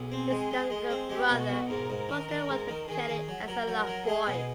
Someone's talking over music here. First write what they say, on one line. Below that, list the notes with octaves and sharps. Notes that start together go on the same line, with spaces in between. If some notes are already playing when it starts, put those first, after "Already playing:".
His younger brother, Buster, worked with Kelley as a lot boy.
Already playing: B1 G#4
C4
G#3
G#3
G#3
C4
G#3 G4
B2
F#4
B1
G#2 A#4
G#2
A#4
D#3
D#3
G#2
D#3
D#3 G#4
D#3
F#3
F#3 A#4
F#3
A#4
F#3
G#3 G#4
B2